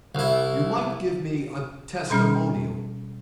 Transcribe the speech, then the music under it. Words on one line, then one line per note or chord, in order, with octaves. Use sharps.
"You might give me a testimonial."
C2 E4
B2 G3 C#4 B5 F6